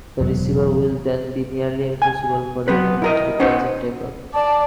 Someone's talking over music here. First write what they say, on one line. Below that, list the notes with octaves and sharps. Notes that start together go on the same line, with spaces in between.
The receiver will then be nearly impossible for the defense to catch and tackle.
E1 F#3
G#5
F#3 B3 C4 B4
E4 A#4 D#5
B3 C#4 D#4 C5
D5 A5